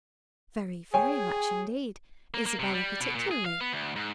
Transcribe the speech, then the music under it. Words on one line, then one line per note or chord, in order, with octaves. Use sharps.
"Very, very much indeed: Isabella particularly."
G#4 C#5 G5 G#5
A#3
A#3
C3
G3
B2
A#2
G#4
F5
B3
D2
G#2